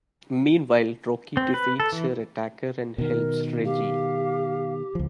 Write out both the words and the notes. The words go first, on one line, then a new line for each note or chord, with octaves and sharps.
Meanwhile, Rocky defeats her attacker and helps Reggie.
C4
B4
A4
E3
B2 D#3 A#4
G4 F5
C#2 F3